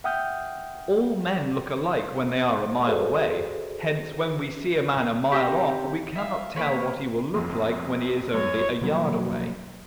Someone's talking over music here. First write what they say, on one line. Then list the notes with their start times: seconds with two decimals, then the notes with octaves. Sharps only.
All men look alike when they are a mile away, hence when we see a man a mile off we cannot tell what he will look like when he is only a yard away.
0.04 E5 F#5 G5 D#6 F6 G6
2.87 F#4 G#4 A4 B4 C5 D5
5.32 C4 D#4 G4
6.16 E5 F5
6.56 A#3 B4 C#5
7.34 A#1 F2
8.34 F#2 B3 C#5
8.81 B2 F3 F#3 A#3